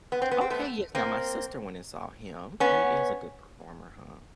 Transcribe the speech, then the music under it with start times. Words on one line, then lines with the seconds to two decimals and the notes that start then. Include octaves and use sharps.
Okay, yes. Now, my sister went and saw him. He is a good performer, huh?
0.12 B3
0.22 C4
0.32 B3
0.41 C4
0.50 A3 B3
0.95 A#3 C4
2.60 B3 C#4